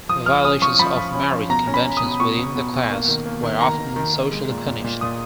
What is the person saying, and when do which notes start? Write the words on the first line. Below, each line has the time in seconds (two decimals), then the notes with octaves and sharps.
Violations of marriage conventions within the class were often socially punished.
0.09 F3 D#6
0.26 F3 F6
0.45 C#4 D#6
0.62 F3 C#6
0.79 F3 B5
0.97 F3
1.14 C#4
1.32 F3
1.50 B2 A#5
1.67 C#4
1.74 B5
1.85 C#4
1.97 D#6
2.02 B2
2.20 B2 C#6
2.38 B2
2.55 B2
2.73 B2
2.91 A#3
3.08 D#3
3.26 A#3
3.43 D#3
3.60 D#3 A#5
3.78 D#3
3.96 D#3
4.14 D#3
4.32 G#3
4.50 A#2
4.66 A#2
4.84 A#2
5.01 A#2 D#6